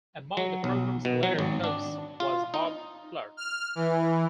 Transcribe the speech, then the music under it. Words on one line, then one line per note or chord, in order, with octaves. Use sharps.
Among the program's later hosts was Bob Clark.
F#3
B1
B2
F#3
G#1
D4
F4
D#4
F6
E3